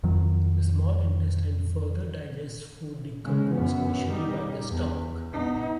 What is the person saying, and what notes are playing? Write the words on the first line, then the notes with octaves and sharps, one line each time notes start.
The small intestine further digests food decomposed initially by the stomach.
F2 D#3 F#3
C#3 G#3
F#2 B3
G3 D#4
E2
B3 D#4